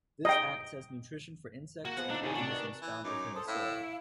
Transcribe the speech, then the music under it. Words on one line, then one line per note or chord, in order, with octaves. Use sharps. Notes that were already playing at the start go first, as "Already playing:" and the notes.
This acts as nutrition for insects and organisms found within the soil.
D#5 G5
A#3 F#4
F3 B3 G#4 F#5
D3 D4 D#4
A2 D#3 C#5 G#5 A5
C3 D4 F#4
G2 B2 D#3
E3
F#2 D#4 C#5 D6
A4 C5 D#6
A2 E4 F5